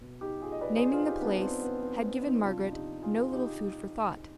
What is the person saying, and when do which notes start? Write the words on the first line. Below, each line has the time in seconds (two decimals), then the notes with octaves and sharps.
Naming the place had given Margaret no little food for thought.
0.01 B2
0.21 D#4 G4
0.41 F4 G#4
0.52 D#5
0.61 B4 D5
0.76 G#4 C5
0.91 F4 G#4
1.07 D#4 G4
1.21 B3 D4
1.36 D4
1.42 C4
1.62 B3
1.82 C4
2.02 C4
2.22 C4 D#4
2.42 C3 F3 D4 F4
2.72 D#4 G4
3.03 F4 G#4
3.32 D#4 G4